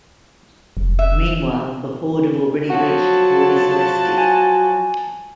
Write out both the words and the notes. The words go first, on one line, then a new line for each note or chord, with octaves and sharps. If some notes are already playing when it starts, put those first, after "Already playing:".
Meanwhile, the Horde have already reached Cori Celesti.
F1
E5
F3 F#3 F#4 F#5 A5
G#5